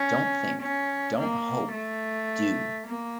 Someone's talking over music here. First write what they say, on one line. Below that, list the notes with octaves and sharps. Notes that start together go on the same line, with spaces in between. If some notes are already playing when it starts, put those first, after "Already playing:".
Don't think, don't hope, do!
Already playing: C#4
C#4
A#3
A3
A#3